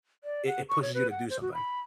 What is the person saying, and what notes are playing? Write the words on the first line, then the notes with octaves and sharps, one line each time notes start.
it it pushes you to do something.
D5
F#5
C#6
C#5
B4
F#5
C5
F#4
B5